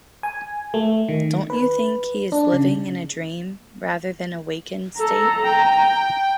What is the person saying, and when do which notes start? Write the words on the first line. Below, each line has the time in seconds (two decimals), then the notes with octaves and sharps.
Don't you think he is living in a dream rather than a wakened state?
0.23 G#5
0.74 A3
1.09 D#3
1.50 B4
2.32 D4
2.52 C#3
4.99 A4 A#5
5.43 G5